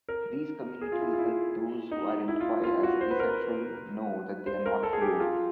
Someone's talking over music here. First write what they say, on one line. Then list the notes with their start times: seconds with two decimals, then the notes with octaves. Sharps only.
These communities help those who identify as asexual know that they are not alone.
0.08 A#4
0.81 G#4
0.92 F4
1.01 E4
1.13 F4
1.18 E4
1.91 D#4
2.28 E4
2.40 F4
2.64 F4
2.83 F#4
3.01 C5
3.11 B4
3.20 A#4
3.29 B4
4.46 C5
4.66 A#4
4.83 A4
4.93 G#4
5.01 G4
5.20 F4